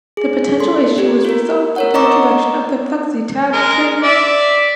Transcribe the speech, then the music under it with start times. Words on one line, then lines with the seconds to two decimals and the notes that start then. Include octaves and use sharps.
The potential issue was resolved with the introduction of the "Flexi Tab" carrier.
0.17 G#4
0.60 A4 C6
0.98 G4
1.25 F4 A#4
1.76 A#4 C#5 F#5
1.94 D#5 A#5 C#6 D6 E6
3.53 G#3 A#4
4.03 D5 E5